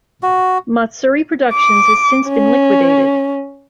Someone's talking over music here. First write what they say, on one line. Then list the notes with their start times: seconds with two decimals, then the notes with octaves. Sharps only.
Matsuri Productions has since been liquidated.
0.23 F#4
1.54 D6
2.29 C#4